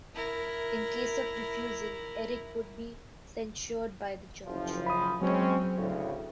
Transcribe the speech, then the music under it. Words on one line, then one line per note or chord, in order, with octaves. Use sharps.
In case of refusal, Eric would be censured by the Church.
E4 A#4
F#1 F3
B5 D#6
F#3 G#3 C4 C#4
D2 A2 C#3